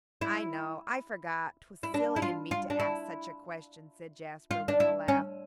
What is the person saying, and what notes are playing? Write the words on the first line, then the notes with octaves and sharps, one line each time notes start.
"I know--I forgot--'twas silly in me to ask such a question," said Jasper, with a laugh.
E4
E4
D4
E4
F4
F4
D4
E4
F4
D4
E4
C#4